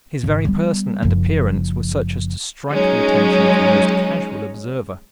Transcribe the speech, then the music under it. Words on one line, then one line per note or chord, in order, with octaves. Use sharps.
His very person and appearance were such as to strike the attention of the most casual observer.
G#1 C#3
G3 B3
F#1 F3
F#3 G#3 C#4 D#4